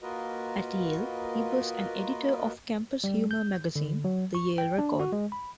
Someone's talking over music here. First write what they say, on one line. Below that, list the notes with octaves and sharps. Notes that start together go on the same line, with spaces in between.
At Yale, he was an editor of campus humor magazine "The Yale Record".
A#3 F4 F#4 A#4 B4 D#5
G3
G6
D3
F#3
C#6
G5
D4
F#4
G#3
B5